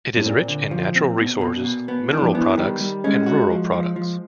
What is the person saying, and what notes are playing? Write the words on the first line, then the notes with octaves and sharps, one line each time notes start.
It is rich in natural resources, mineral products, and rural products.
A2
A#2 C4
D3
F3
C4
B2
B2
B2
B3
E3 D4
F3
E3 B3
D#3 G3
G3
G#3 C#4
F#4
F3
F3
F3